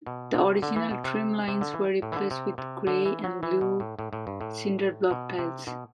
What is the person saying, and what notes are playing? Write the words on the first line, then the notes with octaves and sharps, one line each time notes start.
The original trim lines were replaced with gray and blue cinderblock tiles.
B2
C3
D3
E3
B2
C3
C3
D3
E3
A2
E3
D3
C3
C3
D3
E3
F#3
E3
B2
A2
A2
A2
G2
A2
B2
C3
B2